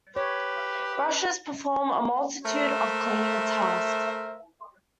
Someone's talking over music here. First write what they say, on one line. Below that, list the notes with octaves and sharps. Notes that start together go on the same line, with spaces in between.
Brushes perform a multitude of cleaning tasks.
G4 B4 C#5
A3 A#4 C5 E5